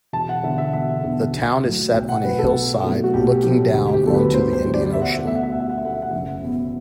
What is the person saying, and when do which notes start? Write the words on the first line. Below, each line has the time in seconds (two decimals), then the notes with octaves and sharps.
The town is set on a hillside looking down onto the Indian Ocean.
0.13 E1 A5
0.29 F#5
0.43 E2 D3 E5
0.58 E5
0.73 E1 E5
1.04 E2 D3
1.33 B1
1.64 A2 F#3
1.94 B1 G5
2.09 F#5
2.24 A2 F#3 B4
2.39 A4
2.53 B1
2.84 B2 F#3 A3 C4
3.04 F#4
3.14 B1 G4
3.43 B2 F#3 A3 C4 G4
3.73 D2 G4
3.94 G4
4.03 D3 F#3 B3 A4
4.14 B4
4.33 D2 C5
4.53 C5
4.63 D3 F#3 B3
4.74 D5
4.93 E2 E5
5.02 F#5
5.11 E5
5.19 F#5
5.23 B2 A3 E5
5.35 F#5
5.43 E5
5.53 E2 F#5
5.60 E5
5.69 F#5
5.78 E5
5.84 B2 A3 F#5
5.94 E5
6.02 F#5
6.11 F#1 E5
6.43 E2 B2